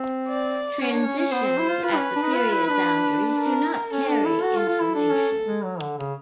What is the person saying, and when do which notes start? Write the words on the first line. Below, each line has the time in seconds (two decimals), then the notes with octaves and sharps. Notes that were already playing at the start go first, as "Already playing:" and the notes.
Transitions at the period boundaries do not carry information.
Already playing: C4
0.28 D5
0.79 C#4 C#5
0.93 D4
1.06 C#4
1.19 C#4
1.31 B3 C5
1.45 C4
1.58 E4
1.70 F4
1.84 F4 B4
1.97 C#4
2.15 D4
2.22 D#4
2.36 F4
2.53 E4
2.70 D4
3.39 A#4
3.90 C#4 A4
4.08 D4
4.25 E4
4.43 F#4
4.56 F4
4.69 F4
4.82 E4
4.94 D4 A4
5.12 C#4
5.46 G#3
5.64 F#3
5.81 D3
5.98 C#3